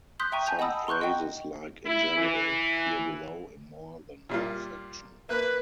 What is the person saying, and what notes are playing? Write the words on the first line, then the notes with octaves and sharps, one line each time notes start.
Some phrases, like "in general", appear below in more than one section.
C6 D#6 F#6 G6 B6
E5 G5 A#5 C#6 D#7
G#5 A5 G6 F7
D#5 F#5 A5 B5 D#6 E6
A#5 C6 C#6 F#6 G6
D#5 F#5 G5 C#6
E4
E3
A#2 G3 F4
A#3 B4 F#6